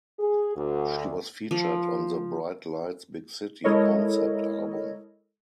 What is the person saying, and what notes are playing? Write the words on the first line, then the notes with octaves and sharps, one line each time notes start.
She was featured on the "Bright Lights, Big City" concept album.
G#4
D2
F3
G#3 E4 A4 A#4 C#5 D#5